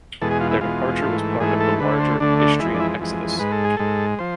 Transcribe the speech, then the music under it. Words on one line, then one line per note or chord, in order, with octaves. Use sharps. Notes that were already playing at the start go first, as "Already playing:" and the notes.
Their departure was part of the larger Istrian exodus.
E2 B2 G#3 A4
G#4
F4
E4
E2 B2 G#3 F4
G#2 E3 A3
G#2 E3 A3 G#4
A4
D2 D3 A3 B4
C5
D2 D3 A3 D4
D4
F2 E3 G#3 E4
D4
E4
F2 E3 G#3
G#2 G#3 B4
A4
G#4
G#2 G#3 A4
F3 C5